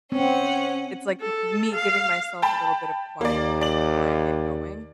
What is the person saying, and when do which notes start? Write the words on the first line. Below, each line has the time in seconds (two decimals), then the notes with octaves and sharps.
It's like m me giving myself a little bit of quiet time before I get going.
0.12 C4 C#4 F#5
1.20 A4
1.75 F5
2.42 G5 A5 B5
3.21 D#2 A#3 D5
3.61 D5 F#7